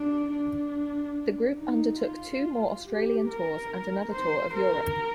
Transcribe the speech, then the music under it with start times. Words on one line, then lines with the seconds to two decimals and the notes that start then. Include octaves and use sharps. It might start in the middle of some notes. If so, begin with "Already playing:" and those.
The group undertook two more Australian tours and another tour of Europe.
Already playing: D4
0.31 D4
1.57 D#4
2.00 F4
2.86 G4
3.28 A#4
4.12 C5
4.55 A#4